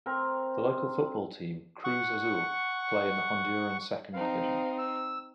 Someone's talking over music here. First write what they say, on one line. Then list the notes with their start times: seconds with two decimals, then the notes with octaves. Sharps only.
The local football team, Cruz Azul, play in the Honduran second division.
0.06 C4 A#4
1.84 F#5 C#6
4.13 C4 D#4 F5
4.78 E6